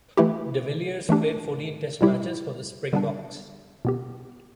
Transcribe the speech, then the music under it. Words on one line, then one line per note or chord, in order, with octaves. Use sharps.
De Villiers played fourteen test matches for the Springboks.
E3 A3 E4 G4
E3 A3 D4 G4
B2 G3 E4 G4
D3 G3 B3 D4
B2 B3 G4